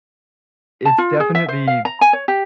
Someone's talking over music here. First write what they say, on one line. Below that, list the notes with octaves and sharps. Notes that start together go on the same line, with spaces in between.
it's definitely
A5
F4
G#4
E5
C5
F5
A#5
G#5
C#5
G4